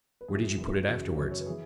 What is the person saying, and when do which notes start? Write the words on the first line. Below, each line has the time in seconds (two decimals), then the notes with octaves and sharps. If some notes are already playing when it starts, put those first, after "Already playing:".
"Where did you put it afterwards?"
0.21 B4
0.28 F#2 E3 G#4
0.58 F#2 E3 E4
0.74 F#4
0.87 F#2 C#3 E3 G#4
1.17 F#2 C#3 E3 C#5
1.31 C#5
1.41 B4
1.46 E3 G#4